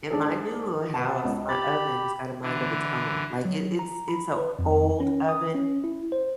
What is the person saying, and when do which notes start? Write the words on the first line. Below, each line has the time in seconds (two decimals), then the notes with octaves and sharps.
in my newer house, my oven has got a mind of its own. Like, it it's it's a old oven,
0.10 G#2 D4 G#4 A4
0.94 B2 B3 A5
1.24 C#2
1.49 G4 B5 A6
2.42 D3 E3
3.45 F#3
3.79 A#5
4.08 B5
4.37 B4
4.59 F2
5.00 C#4
5.29 D#6
5.55 C#4
5.84 E4
6.12 C5